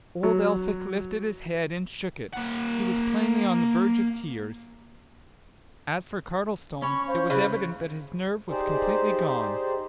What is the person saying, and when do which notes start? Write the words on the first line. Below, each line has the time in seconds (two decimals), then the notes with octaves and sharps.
Old Elphick lifted his head and shook it; he was plainly on the verge of tears; as for Cardlestone, it was evident that his nerve was completely gone.
0.23 F#3
2.34 A#3 F#5
6.82 C#4 C#5 B5 C#6
7.07 C5 F5
7.30 C#3 E4 B4
8.49 D#4 G4 G#4 C5 D5